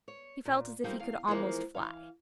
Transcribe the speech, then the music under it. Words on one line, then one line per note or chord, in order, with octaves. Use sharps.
He felt as if he could almost fly.
C#5
A#2
F3 G3 A#3 C4 D#4 F#4
E2 F5
E3 F3 G#3 A#3
E3 F5